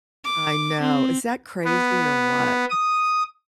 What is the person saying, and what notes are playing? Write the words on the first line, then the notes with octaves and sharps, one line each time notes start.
I know, is that crazy or what?
D6
C4
B3
D#6